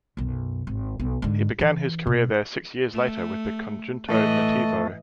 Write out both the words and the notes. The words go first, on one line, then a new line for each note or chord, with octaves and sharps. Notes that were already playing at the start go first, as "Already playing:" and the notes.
He began his career there six years later with the Conjunto Nativo.
B1 F#2
G#1
B1
G#2 D3
E3 D4
B2
A3
A2 E3 A3 D#5